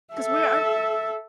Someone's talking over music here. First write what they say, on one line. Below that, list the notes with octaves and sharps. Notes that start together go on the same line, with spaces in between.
'Cause we aren't
A4 E5